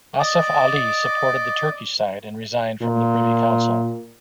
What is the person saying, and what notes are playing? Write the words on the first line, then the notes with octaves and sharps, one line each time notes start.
Asaf Ali supported the Turkish side and resigned from the Privy Council.
D5 D#5 D6
A#2